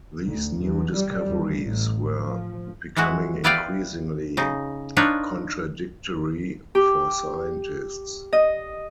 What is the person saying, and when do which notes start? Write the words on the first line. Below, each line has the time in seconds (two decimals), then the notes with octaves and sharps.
These new discoveries were becoming increasingly contradictory for scientists.
0.24 D2
0.61 E2
0.95 G3
1.28 E2
1.63 A1
2.19 F3
2.97 E3 G#3 E4 F#4
3.44 B3 E4 B4 D5 F5 G5
4.37 C#3 D#4
4.97 D4 D#4 F4 B4 C#5
6.75 G4
8.33 D#5